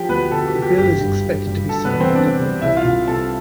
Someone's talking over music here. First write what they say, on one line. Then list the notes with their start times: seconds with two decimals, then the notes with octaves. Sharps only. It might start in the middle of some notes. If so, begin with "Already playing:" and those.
The bill is expected to be signed by Governor Perdue.
Already playing: F3 G4 G5
0.09 D2 B3 B4
0.32 D2 A4
0.48 G4
0.55 D2
0.62 G4
0.78 G1 G4
1.01 G2
1.24 G1
1.47 G2
1.69 D3 A4
1.85 B3 B4
1.93 E2
2.00 C4 C5
2.15 D3 D4 D5
2.38 G3
2.62 C2 E4 E5
2.77 F4 F5
2.84 C2
3.08 C3 A4 A5